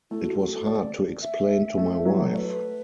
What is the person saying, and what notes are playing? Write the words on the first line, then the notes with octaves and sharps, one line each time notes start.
It was hard to explain to my wife.
A3 E4
F#4
F#4
A4
D5
E5
A3
F#3
A3 B4 D5